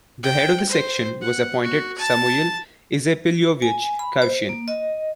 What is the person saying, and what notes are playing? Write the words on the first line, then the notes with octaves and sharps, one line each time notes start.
The head of the section was appointed Samuyil Izepilyovych Khavchyn.
G5
C5
F#5
F#4
A5
G#5
B5
C5
A#3
D#5